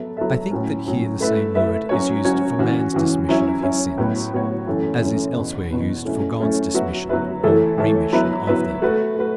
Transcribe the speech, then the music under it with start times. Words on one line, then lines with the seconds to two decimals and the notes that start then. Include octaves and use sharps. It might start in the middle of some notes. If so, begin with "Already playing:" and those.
I think that here the same word is used for man's dismission of his sins, as is elsewhere used for God's dismission or remission of them.
Already playing: F#3 B3 A4 E5
0.17 F#3 B3 A4 E5
0.51 A2 F#3 C#4
0.86 A2 F#3 C#4
1.20 A3 E4 B4 E5
1.55 A3 E4 B4 E5
1.89 F#3 C#4 F#4 C#5
2.24 F#3 C#4 F#4 C#5
2.59 E3 C#4 F#4
2.94 E3 C#4 F#4
3.29 F#3 C#4 E4 C#5
3.63 F#3 C#4 E4 C#5
3.98 A2 F#3 B3 F#4 C#5
4.32 A2 F#3 B3 F#4 C#5
4.67 F#2 E3 A3 C#4
5.01 F#2 E3 A3 C#4
5.35 E2 B2 B3
5.70 E2 B2 B3
6.05 F#3 A3 C#4 E4
6.39 F#3 A3 C#4 E4
6.74 F#3 B3 F#4 B4 E5
7.09 F#3 B3 F#4 B4 E5
7.43 E3 A3 E4 A4 C#5
7.78 E3 A3 E4 A4 C#5
8.12 F#3 B3 E4 B4 E5
8.47 F#3 B3 E4 B4 E5
8.82 A3 F#4 B4
9.16 A3 F#4 B4